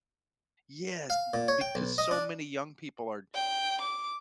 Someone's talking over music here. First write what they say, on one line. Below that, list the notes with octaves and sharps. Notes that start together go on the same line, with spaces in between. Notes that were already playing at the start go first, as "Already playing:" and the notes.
Yes, b because so many young people are
F5
A#2
C#5
G5
B1
D#5
D4
G5
D6